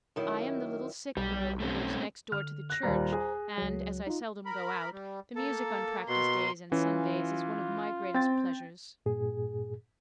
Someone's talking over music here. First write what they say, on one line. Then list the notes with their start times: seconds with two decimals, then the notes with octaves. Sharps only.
I am the little sick girl who lives next door to the church, and, as I seldom go out, the music on practice days and Sundays is one of my greatest pleasures.
0.16 F#2 D#3 E4
1.17 B1 G3
1.60 A3 C4 C#4
2.32 D3 F6
2.70 F#6 A#6
2.83 D#2 A#2 G3 C5 A#5
3.13 G#4
3.58 C#2 F#3
4.07 D#4 F4
4.46 A#4 B5
4.92 G3
5.36 A#3 A4
6.09 B2 C6
6.72 E3 C#4 F4
8.14 C4 G5 A6
9.06 G2 A#2 G#4